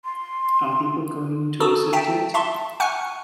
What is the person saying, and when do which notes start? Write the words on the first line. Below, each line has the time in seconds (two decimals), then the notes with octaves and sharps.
Are people going to accept it?
0.05 C6
1.60 F#4 A4 A5 A#5 D#6
1.93 E5 G5 A5
2.34 E5 A5 C6 C#6
2.80 F#5 G#5 C#6 F6 F#6